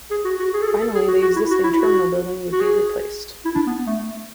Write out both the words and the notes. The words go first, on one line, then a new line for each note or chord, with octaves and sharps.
Finally the existing terminal building would be replaced.
G#4
F#4
F#4
G#4
A4
G#4
A4
G#4
F#4
F#4
E4
F#4
E4
F#4
F#4
G#4
E4
D4
B3
A3